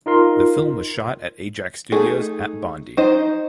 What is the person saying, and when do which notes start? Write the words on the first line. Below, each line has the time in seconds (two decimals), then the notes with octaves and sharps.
The film was shot at Ajax Studios at Bondi.
0.06 D#4 F4 A#4 C6
1.92 A3 D#4 G#4
2.97 D#4 C5 D#5